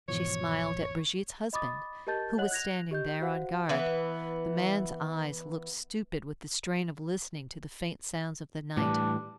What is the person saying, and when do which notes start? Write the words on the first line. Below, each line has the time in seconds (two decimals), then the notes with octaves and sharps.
She smiled at Brigitte's husband, who was standing there on guard; the man's eyes looked stupid with the strain of listening to the faint sounds of the night.
0.08 G#1 E2 B2 F3 C#5 C#7
1.53 D#5 B5 D6 D#6 A6
2.07 G4 A#4 D#5 A5 G6 A6
2.38 C#5 D#5 F#5 F#6 F#7
2.51 F#6 G#6 A#6 F7
2.91 G4 D#5 G6
3.21 F#4 C5 F5 F#5
3.69 E3 B3
8.77 A2 E3 G3 D4